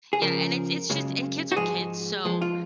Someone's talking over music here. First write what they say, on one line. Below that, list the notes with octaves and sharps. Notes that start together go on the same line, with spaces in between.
yeah, and it's it's just a kids are kids, so,
G#4
C#2 C#3 F3 A#4
F#2 C#3 G#3
F#4
G#2 F3 G#3 G#4
F2 F3 G#3
F4